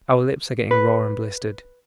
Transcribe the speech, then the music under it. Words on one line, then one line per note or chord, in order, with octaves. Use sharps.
Our lips are getting raw and blistered.
B4